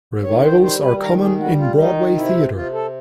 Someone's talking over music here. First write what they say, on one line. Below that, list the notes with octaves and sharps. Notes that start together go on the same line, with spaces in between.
Revivals are common in Broadway theatre.
D#3 C#5
C5
G3 C5
B4
D#3 A#4
G#4
G3 F#4
F4
D#3 D#4
C3 E4
C3 F4
A4